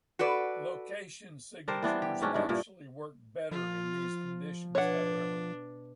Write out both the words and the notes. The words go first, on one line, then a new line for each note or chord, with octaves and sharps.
Location signatures actually work "better" in these conditions however.
F#4 A4 B4 D5
G3 D4 A#4 C5
E3 B3 D4 C5
G4
G#2 F#3 C#4 D4
G2 D4 E4
G2 A#2 E4
F3 F4
B2 D4 C#5 F#5